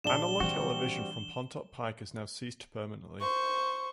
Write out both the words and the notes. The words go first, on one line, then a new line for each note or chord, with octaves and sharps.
Analogue television from Pontop Pike has now ceased permanently.
A#1 D5 A5 E7 G7
E3 G3 C4 D4 F#4
C5 C#6